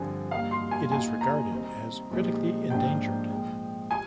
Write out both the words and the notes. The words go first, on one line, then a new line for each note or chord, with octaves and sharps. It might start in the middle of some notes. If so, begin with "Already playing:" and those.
It is regarded as critically endangered.
Already playing: G2 D3 F3 C4 G#5
G2 D#3 A#3 F5
C6
G#5
D#3 A#3 D#4 G#5
A#5
C3 D#3 G3 C4 D#4
A#2 F3 G#3 D#4 G4
G#2 F3 A#3 D4 G5
A#2 F3 G#3
F4 G#5